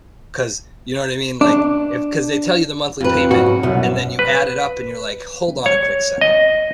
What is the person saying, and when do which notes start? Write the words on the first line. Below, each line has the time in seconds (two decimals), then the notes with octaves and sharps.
'Cause, you know, what I mean? Like, if 'cause they tell you the monthly payment, and then you add it up, and you're like, "Hold on a quick second.
1.41 D4
3.00 F2 B4
3.31 B1 G#2 F#4
3.63 C2 F#2 B2
4.19 B4
5.66 C#5
6.21 D#5